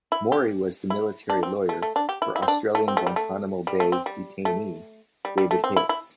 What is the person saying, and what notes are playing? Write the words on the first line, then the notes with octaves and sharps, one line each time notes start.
Mori was the military lawyer for Australian Guantanamo Bay detainee David Hicks.
E4
G4
E4
D4
C4
A3
A3
D4
G4
E4
E4
C4
D4
A3
C4
A3
G3
A3
G3
A3
C4
G3
A3
G3
G3
A3
C4
E4
E4